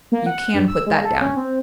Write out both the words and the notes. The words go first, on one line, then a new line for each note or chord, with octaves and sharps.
You can put that down.
A#3
F#5
G2
E6
G#3
A4
C#4
C4